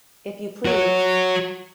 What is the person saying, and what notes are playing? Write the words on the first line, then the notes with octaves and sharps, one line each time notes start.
If you please.
F#4 C#5